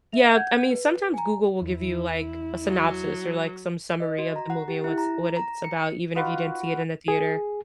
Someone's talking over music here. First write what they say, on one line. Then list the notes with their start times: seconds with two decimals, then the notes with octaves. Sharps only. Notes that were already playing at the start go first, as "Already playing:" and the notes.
Yeah, I mean, sometimes Google will give you, like, a synopsis or, like, some summary of the movie and what's what it's about, even if you didn't see it in the theater.
0.12 E5 F7
0.36 F#5 G6 G#6
0.70 B4
1.14 G#5 A#5
1.62 E2 E4
2.67 F#3
4.00 D#5
4.19 F#4
4.36 A#5
4.50 F#5
4.68 G4
4.84 E4
4.98 A#5
5.37 A#5
5.64 C#7
6.15 D#4 F4 F#4 B4
7.08 G#4